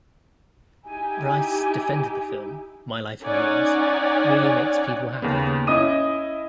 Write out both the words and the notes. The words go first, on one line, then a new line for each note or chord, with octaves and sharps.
Reiss defended the film: "My Life in Ruins" really makes people happy.
D#4 E4 G4 G#5
C#4 D#4 C#5 D5 F#5 G#5
D#2 C#3 B3
C#4 E4 D#5 D#6 D#7